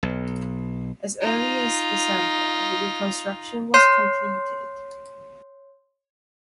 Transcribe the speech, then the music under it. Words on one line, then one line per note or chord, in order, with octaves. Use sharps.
As early as December the reconstruction was completed.
B1
D#4 F4
C#5 C6 G6 C7